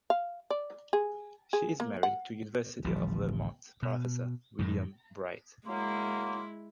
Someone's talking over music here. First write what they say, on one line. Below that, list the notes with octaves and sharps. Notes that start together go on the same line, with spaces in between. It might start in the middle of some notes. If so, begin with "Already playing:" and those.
She is married to University of Vermont professor William Bright.
F5
D5
G#4
G#4
A#3
F#5
D1 A1 F3 G3
B2
F#2 A2 D#3
F#3 G#3 A#3 E4 C6